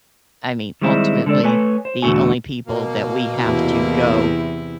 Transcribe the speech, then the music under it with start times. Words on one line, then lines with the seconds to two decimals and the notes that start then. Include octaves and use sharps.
I mean, ultimately, the only people that we have to go
0.82 D#3 G3 G#3 C4 E4
1.26 D3 G#3 A4 D5
1.43 A3 A4 B4 C#5 G#5
1.85 C5
2.02 E2 B2 D3 A3 F#4 G#5
2.67 B2 A#3
3.41 E2 C3 E4